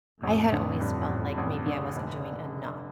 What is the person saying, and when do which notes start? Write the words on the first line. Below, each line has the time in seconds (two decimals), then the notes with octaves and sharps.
I had always felt, like, maybe I wasn't doing enough,
0.23 A1 F2 A2
0.52 D3
0.80 G2
1.09 A1
1.38 A1
1.66 D3
1.95 F1